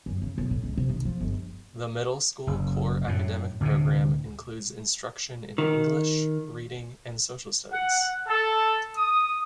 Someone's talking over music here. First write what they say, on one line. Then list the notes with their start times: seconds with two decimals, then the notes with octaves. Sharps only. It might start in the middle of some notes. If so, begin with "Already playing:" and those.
The middle school core academic program includes instruction in English, reading and social studies.
0.06 F#2
0.22 C#3
0.38 B1
0.51 A2
0.63 C#2
0.77 C3
0.89 D#3
1.05 F3
1.20 G1
2.47 F#1
3.07 F#2 A2
3.61 D2 A2 C3
5.58 D#3
7.72 F#5
8.27 A4
8.95 D#6